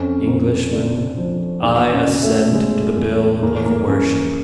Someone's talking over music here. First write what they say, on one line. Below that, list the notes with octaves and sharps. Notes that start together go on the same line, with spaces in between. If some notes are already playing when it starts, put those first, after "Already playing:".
"Englishmen, I assent to the Bill of Worship."
Already playing: F2 C#4
F2
D3
F3
E2 D4
C#4
B2
A3
B2 G#3
E2
E2 A#3
A#3
E2 C#4